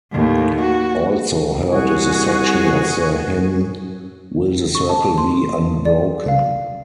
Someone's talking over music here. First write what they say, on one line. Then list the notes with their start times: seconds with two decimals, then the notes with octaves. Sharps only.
Also heard is a section of the hymn "Will the Circle Be Unbroken".
0.12 D#2 A2
0.60 F#4
1.68 C2 F#4 G#4
4.75 C#6
4.89 A5
5.18 C6
5.85 D5
6.28 F5